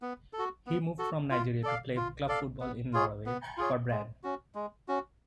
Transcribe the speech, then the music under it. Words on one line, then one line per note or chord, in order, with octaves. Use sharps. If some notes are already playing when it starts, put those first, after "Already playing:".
He moved from Nigeria to play club football in Norway for Brann.
B3
A4
F#4
B3
F#4 A4
F4
A4 D5 F5
F4
A4 D5 F5
B3
F4 G#4 C#5
B3
F4 G#4 C#5
G#3
C#4 F#4
G#3
C#4 F#4